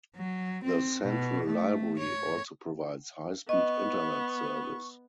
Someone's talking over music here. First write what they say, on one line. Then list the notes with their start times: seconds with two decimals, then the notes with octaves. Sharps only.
The Central library also provides high speed internet service.
0.16 F#3
0.64 C4
1.03 B2
1.47 A3
1.99 C#5
3.49 B3 D#5 C#6